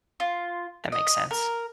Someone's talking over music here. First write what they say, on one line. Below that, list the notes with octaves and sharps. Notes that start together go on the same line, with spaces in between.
That makes sense.
F4
D#5
A#4